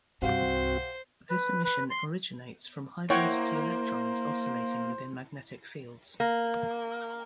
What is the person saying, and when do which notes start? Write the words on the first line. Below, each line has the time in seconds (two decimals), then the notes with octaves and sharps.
This emission originates from high-velocity electrons oscillating within magnetic fields.
0.22 C2 G2 C4 F#4 G4 C5 F5 F#5
1.30 B4
1.64 B4
1.90 C6
3.10 A#3 E4 C5 C#5 F#5 G5
6.20 A#3